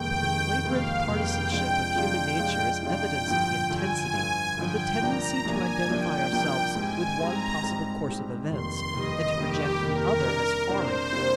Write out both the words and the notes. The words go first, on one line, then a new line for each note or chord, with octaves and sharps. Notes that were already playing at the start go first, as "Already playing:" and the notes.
But the flagrant partisanship of human nature is evidence of the intensity of the tendency to identify ourselves with one possible course of events, and to reject the other as foreign.
Already playing: F1 D#2 D#3 G#3 G5
F1 D#2 D#3 G#3
F1 D#2 D#3 G#3 F5
F1 D#2 D#3 G#3 G5
C3 F3 G#3 D4 F4
C3 F3 G#3 D4 F4
C3 F3 G#3 D4 F4
C3 F3 G#3 D4 F4 G5
G2 D3 F3
G2 D3 F3 G#5
G2 D3 F3
G2 D3 F3 G5
C2 A#2 F3 A#3 D4 A#5
C2 A#2 F3 A#3 D4 G#5
C2 A#2 F3 A#3 D4 G5
C2 A#2 F3 A#3 D4
G#2 G3 C4 G4 G#5
G#2 G3 C4 G4 A#5
G#2 G3 C4 G4
G#2 G3 C4 G4
F1 D#2 D#3 G3 C6
F1 D#2 D#3 G3 D#5
F1 D#2 D#3 G3 G4
F1 D#2 D#3 G3 A#4
C3 G3 A#3 D4
C3 G3 A#3 D4 C5
C3 G3 A#3 D4